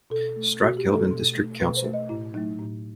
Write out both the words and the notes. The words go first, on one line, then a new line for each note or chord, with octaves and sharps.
Stratkelvin district council.
B2 A4
A3
B2 F#4
G4
A3
A4
B2
A3
B2 B4
C5
A3
D#5
A2 E4
F#3 A3 D#4
A2